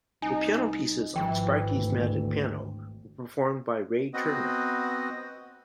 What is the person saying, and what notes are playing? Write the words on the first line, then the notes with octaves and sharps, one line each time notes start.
The piano pieces on "Sparky's Magic Piano" were performed by Ray Turner.
C2 D#4 G#5
G#1 G#2 E3 F3 G5
D2
B3 C4 F#4 D#5